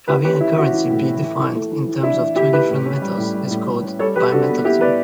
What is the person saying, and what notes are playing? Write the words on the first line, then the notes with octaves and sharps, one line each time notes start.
Having a currency be defined in terms of two different metals is called bimetallism.
E3 G4 B4
C#4 G4 B4
E3 E4
C#4 F#4
E3
A2
C#4
E3
E3
A3
E3
E3
D4 E4
E3
E3 E4 G4
E3 G4 B4
A2
C#4
G3
A2
G3
A2
A2
C#4
G3 A4 C#5
G3 G4 B4
D4 F#4 A4
B3
B3 E4 G4
B3 B4 D5